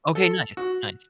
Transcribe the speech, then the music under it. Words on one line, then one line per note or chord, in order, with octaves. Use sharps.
Okay, nice, nice.
A4
F#4